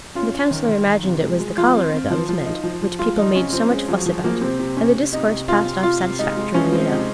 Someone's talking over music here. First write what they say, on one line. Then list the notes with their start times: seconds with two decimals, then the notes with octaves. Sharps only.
The Councillor imagined it was the cholera that was meant, which people made so much fuss about; and the discourse passed off satisfactorily enough.
0.15 C#4 F4
0.34 C#4
0.51 D#3
0.69 D#3
0.87 D#3
1.04 C3
1.22 G#3
1.40 G#3
1.58 F3 F4
1.76 C4
1.93 C4
2.10 F3
2.29 F3
2.46 D#4
2.64 F3
2.82 F3
2.99 G#3 F4
3.17 F3 D#4
3.35 C3 C#4
3.53 F3 C4
3.70 G#3 C#4
3.88 F3 F#3
4.06 F3 F#3
4.24 F3 A#3
4.41 C3 C4
4.60 C3
4.77 C3 C#4
4.95 C3
5.12 C3 D#4
5.30 C3
5.48 C3 F4
5.65 C3
5.83 C3 F4
6.01 C3
6.19 G#3 D#4
6.37 G#3
6.54 F3 C#4
6.72 G#3 C4
6.90 C3 D#4